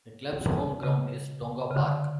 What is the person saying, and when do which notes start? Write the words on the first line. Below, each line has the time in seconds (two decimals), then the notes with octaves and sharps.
The club's home ground is Tonga Park.
0.83 C#3
1.71 C#3
1.75 D3